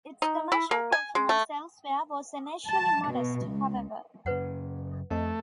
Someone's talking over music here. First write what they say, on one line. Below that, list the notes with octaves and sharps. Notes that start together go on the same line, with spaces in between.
Its commercial performance elsewhere was initially modest, however.
D#4
E4
A#3
G#5
G#3
A3
A5
B2
C#2
F#2 C#3 B4 C#5 F#5
F2 A3 C4 D#5